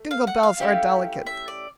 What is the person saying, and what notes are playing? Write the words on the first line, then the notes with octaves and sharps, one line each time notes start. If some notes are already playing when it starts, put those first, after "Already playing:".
Dingle-bells are delicate.
Already playing: A3
F5
F#5
F5
A3 C#4 E4 G4
E5
D5